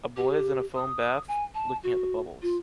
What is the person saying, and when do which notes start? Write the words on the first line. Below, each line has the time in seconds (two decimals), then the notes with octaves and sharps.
A boy is in a foam bath? Looking at the bubbles.
0.16 G4
0.75 D#6
1.28 G#5
1.54 A5
1.83 F#4
2.41 F4